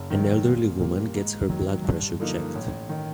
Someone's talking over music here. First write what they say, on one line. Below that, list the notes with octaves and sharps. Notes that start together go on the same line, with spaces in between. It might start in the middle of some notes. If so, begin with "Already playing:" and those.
An elderly woman gets her blood pressure checked.
Already playing: F#1
F#2 D#3
A#2
G3 A#3
G#2
D#3 F#3
G2
D3 F3 A#3 D#4
A1
D#3